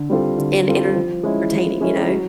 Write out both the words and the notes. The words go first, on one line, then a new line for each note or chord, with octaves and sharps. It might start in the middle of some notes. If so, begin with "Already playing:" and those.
and entertaining, you know?
Already playing: D3
G3 C4 F4 A4
D3
G3 C4 F4 A4
F3
G#3 C#4 E4
F3
G#3 C#4 E4
F#3